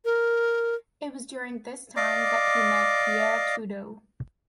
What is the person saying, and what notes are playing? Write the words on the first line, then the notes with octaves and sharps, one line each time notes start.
It was during this time that he met Pierre Trudeau.
A#4
D5 D#5 F5 D6